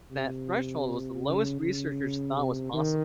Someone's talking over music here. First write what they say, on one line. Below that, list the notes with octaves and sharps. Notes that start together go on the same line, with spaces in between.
That threshold was the lowest researchers thought was possible.
C3
C#3
C#3
C3
D#3